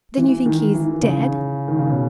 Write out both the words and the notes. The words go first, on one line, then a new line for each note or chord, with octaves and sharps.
"Then you think he's--dead?"
E3
D#3
E3
C#3
D#3
C#3
B2